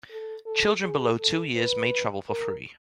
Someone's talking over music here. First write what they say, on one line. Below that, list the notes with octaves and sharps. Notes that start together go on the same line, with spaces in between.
Children below two years may travel for free.
A4
A4
G#4
A4
B4
A#4